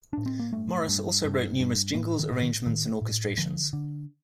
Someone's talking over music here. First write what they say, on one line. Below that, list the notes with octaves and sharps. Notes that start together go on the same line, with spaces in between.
Morris also wrote numerous jingles, arrangements, and orchestrations.
A2 D4
C4
A#3
G2 A3
G2
G2
G2
A2 A#3
D#3
A2
D#3
A2 D#3
A2
D3 F3
D3